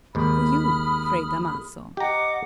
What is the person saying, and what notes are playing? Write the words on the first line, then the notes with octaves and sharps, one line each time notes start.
"For you, Fray Damaso."
D#2 G#2 B5 D#6 F6
G4 D#5 F#5 A#5 D6